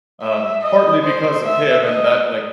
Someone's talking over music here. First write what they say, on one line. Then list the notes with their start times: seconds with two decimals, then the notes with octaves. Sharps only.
Um, partly because of him and that like,
0.22 E5
0.63 D#5
1.03 C5
1.44 E5
1.85 D#5